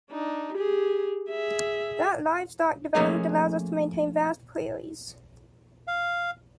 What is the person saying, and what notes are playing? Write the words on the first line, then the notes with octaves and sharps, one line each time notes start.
That livestock development allows us to maintain vast prairies.
D4 D#4
G4 G#4
G#4 E5
F3 A3 A#3 C#4 G#4 D#5
F5